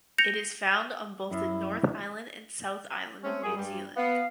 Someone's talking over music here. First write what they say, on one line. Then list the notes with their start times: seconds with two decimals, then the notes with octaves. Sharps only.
It is found on both the North Island and South Island of New Zealand.
0.18 G6 A#6 C#7 F7
1.31 F#2 E4
3.24 A3 C4 C#4
3.43 F#2 G#4
3.57 G2 G3
3.96 B3 F5